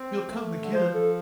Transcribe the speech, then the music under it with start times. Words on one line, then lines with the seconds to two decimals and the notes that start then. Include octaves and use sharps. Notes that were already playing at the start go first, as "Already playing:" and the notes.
"You'll come again?"
Already playing: C4
0.31 A3
0.62 D3
0.73 F3 C5
0.94 A4